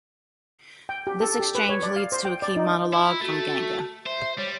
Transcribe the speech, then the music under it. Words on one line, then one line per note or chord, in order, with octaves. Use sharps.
This exchange leads to a key monologue from Ganga.
G5
G4
A4
G4
B4
C#5
D5
F5
C5
G5
D5
D#4
E4 F4
A3 F#4
C5 E5
G3 C#5